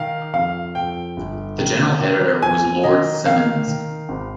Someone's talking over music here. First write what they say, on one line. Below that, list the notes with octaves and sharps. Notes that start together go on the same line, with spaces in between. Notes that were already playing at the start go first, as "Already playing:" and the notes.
The general editor was Lord Simonds.
Already playing: D#3 F5
F2 F5
F2 G5
G1
D#3
D#3
F2 G#5
D#3 D#5
D#3 F5
D#3
G#1